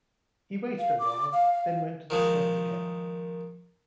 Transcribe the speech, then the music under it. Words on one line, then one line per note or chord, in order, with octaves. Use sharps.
He waited a while, then went to the stairs again.
F5
D6
F5
F5
D#3 F3 G#3